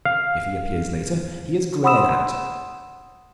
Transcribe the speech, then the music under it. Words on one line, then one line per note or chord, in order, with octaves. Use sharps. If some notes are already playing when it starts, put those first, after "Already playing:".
If he appears later, he is glared at.
F5
F#5 B5 C6 D#6 E6 E7